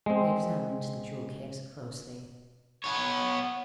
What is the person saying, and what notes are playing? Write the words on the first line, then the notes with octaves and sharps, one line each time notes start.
I examined the jewel-case closely.
G#3 C4
B3 C#5